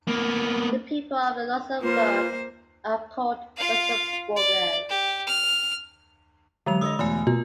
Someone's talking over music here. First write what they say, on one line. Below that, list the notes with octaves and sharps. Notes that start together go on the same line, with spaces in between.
The people of Luxembourg are called Luxembourgers.
A#3 B3
A#3 F4 B4 C5
F4 F5
D5
G4
F6
D3 E3 F#3 G#3 F7
D3 C#5 D#5 D#6 E6
E2 B2 E3 A3 G#5
B2 A#3 F4